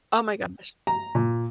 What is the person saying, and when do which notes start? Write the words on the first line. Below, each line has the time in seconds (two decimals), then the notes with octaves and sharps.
Oh my gosh.
0.87 A#5
1.15 A#2